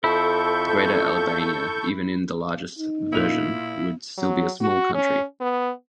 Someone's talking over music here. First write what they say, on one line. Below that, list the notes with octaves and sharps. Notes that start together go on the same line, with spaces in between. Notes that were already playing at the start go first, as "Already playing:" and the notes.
Greater Albania, even in the largest version, would still be a small country.
F2 E4 A4 C#6 G6
D#4
A#2 E4 F4 F7
F#3
F#4
C#4
B3